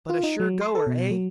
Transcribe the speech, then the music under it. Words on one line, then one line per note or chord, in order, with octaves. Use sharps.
"But a sure goer, eh?"
F4
D#4
F#3
C6
A4
B2
F#3